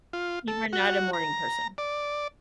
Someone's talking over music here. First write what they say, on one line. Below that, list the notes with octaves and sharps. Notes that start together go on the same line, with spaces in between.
You are not a morning person?
F4
A4
F#4
A#5
D5